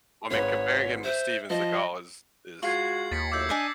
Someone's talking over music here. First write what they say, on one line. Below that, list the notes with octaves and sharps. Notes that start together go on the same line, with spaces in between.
Well I mean, comparing him to Steven Seagal is is
G#1 G#2 B4 C#5
C5 E5
F3 D#5
G#3 F4 F#4 G#6 C7 F#7
D#2 A6 B6 C#7
A2 F#3 E4 D6 E6 G6
D4 D5 D#5 G#5 B6